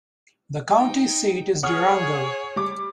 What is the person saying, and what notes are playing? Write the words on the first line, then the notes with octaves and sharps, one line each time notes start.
The county seat is Durango.
D#4 G5
G#4 C#5 F#5 D#6 F6
G3 D6